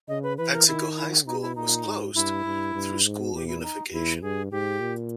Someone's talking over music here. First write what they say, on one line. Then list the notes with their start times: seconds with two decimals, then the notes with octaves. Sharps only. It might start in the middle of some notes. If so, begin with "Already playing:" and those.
Paxico High School was closed through school unification.
0.08 C#3 D#5
0.23 B4
0.38 E3 B4
0.53 A#4
0.68 D#3 E4
0.97 E4
1.26 B2 D#4
1.42 E4
1.56 A#2 D#4
1.86 G#2
2.14 G2 E4
2.45 G2
2.74 G2
3.04 G#2
3.33 E2 G4
3.48 E4
3.63 D#4
3.93 E2 E4
4.22 G2 G#4
4.51 G#2 G4
4.80 A#2